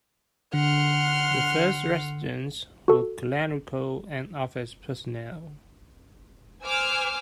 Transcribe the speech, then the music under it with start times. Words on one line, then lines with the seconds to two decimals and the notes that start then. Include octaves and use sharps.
The first residents were clerical and office personnel.
0.54 D3 F#5 C6 F6
2.88 F#4 A4
6.63 C5 G#5 D6 E6 F6